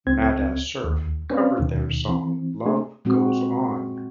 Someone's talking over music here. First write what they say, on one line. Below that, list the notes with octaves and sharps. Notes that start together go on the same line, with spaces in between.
Nada Surf covered their song Love Goes On!
C#2 C4 G#6
D#2
C4 C#4 B4 C5 D5 F5
D#2 B2 D#3
E3 C4
A3 D4 G#4
A#2 G#3 C4 F#4